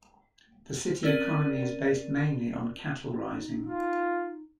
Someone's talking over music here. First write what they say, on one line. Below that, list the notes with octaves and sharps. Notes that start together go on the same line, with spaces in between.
The city economy is based mainly on cattle rising.
C4 C#4 A#4 D5 A6 D#7
D#4
F4